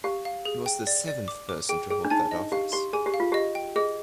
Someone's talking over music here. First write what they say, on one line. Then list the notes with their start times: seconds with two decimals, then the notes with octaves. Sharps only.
He was the seventh person to hold that office.
0.04 G4 F5
0.25 F5
0.45 G#4
0.66 G5
0.87 D5
1.08 D5
1.28 D6
1.49 D6
1.69 G#4 G5
1.91 G#4 G5
2.05 D4
2.10 D#4 G#5
2.31 D#5
2.52 G4 F5
2.72 G4 C6
2.93 G#4 G#5
3.06 G4
3.14 F5
3.20 F4
3.32 G4 D#5
3.55 G5
3.76 G#4 D#5